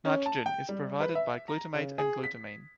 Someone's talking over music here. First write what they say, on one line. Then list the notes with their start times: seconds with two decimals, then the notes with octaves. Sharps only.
Nitrogen is provided by glutamate and glutamine.
0.05 C#4
0.26 A5
0.46 G5
0.69 G3
1.00 B4
1.15 E5
1.48 A#5
1.74 C#3
1.98 G#4
2.23 B6